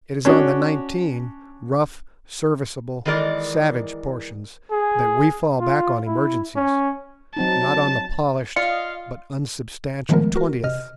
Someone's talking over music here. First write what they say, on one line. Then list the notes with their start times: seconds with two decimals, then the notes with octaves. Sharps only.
It is on the nineteen rough serviceable savage portions that we fall back on emergencies, not on the polished but unsubstantial twentieth.
0.25 C#4 D4 F#4
3.05 D#3 E3 G#3 A#4 D5
4.71 G#4
5.60 F4
6.07 E4
6.56 C#4
7.37 F#3 C4 D#4 A5
8.56 F4 D5 D#5 F5 C#7
10.09 D#3 F3 G#3 A3 B3 A#4
10.36 F#4 A#4
10.64 C3 D#5 F6